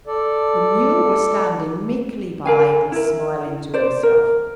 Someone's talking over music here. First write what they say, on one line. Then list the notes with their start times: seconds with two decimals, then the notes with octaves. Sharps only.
The mule was standing meekly by and smiling to himself.
0.07 A4 D5
2.45 A#4 F5 G#5
2.92 E4 A#4
3.74 C5 D5
4.03 A#4